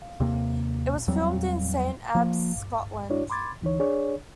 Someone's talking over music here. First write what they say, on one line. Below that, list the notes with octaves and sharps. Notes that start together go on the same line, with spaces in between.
It was filmed in Saint Abbs, Scotland.
D#2 C3 A#3
E2 F#3 G3 C4
F3 A#3
D4 E4 F#4 C#5 D5
B5 C6 D6 G#6 A6
D2 E3 D#4 C#5
D4 G#4 C#5 D5